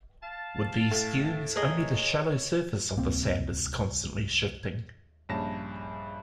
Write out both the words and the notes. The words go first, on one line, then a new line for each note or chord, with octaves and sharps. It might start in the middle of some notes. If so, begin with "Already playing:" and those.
With these dunes only the shallow surface of the sand is constantly shifting.
F5 A5
A2
G#4 A#4 C#5 D#5
D1 C2 A#3 C4
A#1 G2 C#3 A5 A#6 E7